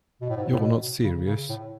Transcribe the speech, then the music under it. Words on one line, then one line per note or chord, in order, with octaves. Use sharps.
You're not serious.
B2
A2
G#2
A2
B2
C#3
C#3
A2